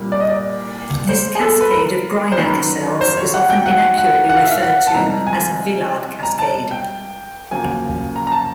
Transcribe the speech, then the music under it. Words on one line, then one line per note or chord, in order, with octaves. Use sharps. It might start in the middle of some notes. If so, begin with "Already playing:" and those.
This cascade of Greinacher cells is often inaccurately referred to as a Villard cascade.
Already playing: C2 A#2 G3 A#3
D5
D#5
D5
C5
G#4
A4
B4
A#4
C5
F#2 D#3 F#3 B4
C5
C#5
F#5
G5
F#5
F#5
F#5
F5
E5
F5
F#5
A5
C2 C3 F3 G#3 A#5
G#5
A#5
A5
G5
F#2 C#3 F3 A#3 G#5
A#5
A#5
A5